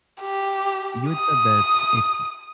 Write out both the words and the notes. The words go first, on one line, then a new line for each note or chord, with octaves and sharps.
you had said that it's
G4
D#6